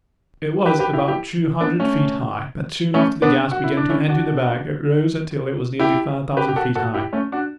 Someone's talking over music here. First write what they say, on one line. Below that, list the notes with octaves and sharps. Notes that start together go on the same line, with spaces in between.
It was about two hundred feet high, but soon after the gas began to enter the bag it rose until it was nearly five thousand feet high.
G4 B4
G4 B4
E4 G4
E4 G4
B3 D4
A3 C#4
A3 C#4
B3 D4
F#4
E4
D4
C#4 E4
D4 F#4
E4 G4
G4 B4
G4
F#4 A4
F#4 A4
E4 G4
A3 C#4
D4 F#4